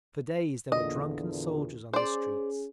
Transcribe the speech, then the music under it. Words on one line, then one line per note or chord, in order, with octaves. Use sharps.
For days there were drunken soldiers on the streets....
E2 A#2 D3 D#5
C#4 G#4 C5 D5